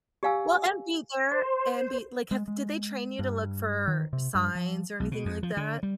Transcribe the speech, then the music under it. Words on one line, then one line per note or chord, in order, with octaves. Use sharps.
Well, and be there, and be like, have did they train you to look for signs or anything like that?
G4 D5 F5 G#5 E6
C5
G#3
G#3
G2
D#3
C3
G2
F3
B1
B2
F2
F3
D3
G3